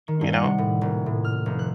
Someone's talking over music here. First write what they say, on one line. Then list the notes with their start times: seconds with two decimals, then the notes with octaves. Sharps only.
you know,
0.08 D#3
0.21 G2
0.33 F#5
0.44 C3
0.58 A2
0.81 D#1
1.06 A2
1.24 F6
1.46 F1
1.59 F#6